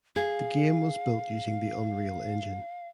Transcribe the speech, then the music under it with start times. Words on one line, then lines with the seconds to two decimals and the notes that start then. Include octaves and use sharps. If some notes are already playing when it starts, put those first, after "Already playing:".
The game was built using the Unreal Engine.
0.16 G#4 F5